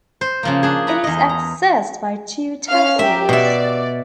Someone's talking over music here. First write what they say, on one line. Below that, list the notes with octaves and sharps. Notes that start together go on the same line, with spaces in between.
It is accessed by two taxiways.
C5
C#3 F3 A#3
D4 G#4
F#5 A#5 B5
E2 D#5
A#5
C#4 F5 F6
G4 A#4 E5
B2 D5 E5